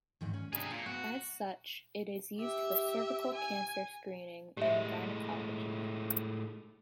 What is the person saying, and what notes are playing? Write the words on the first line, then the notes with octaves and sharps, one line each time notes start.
As such, it is used for cervical cancer screening in gynecology.
E2 G#2 D#3
C#4
C3 D4 G#4 A5 A#5
A#2 C5
B3 F#4
G4 E5
G#5
A2 G#3 G4 E5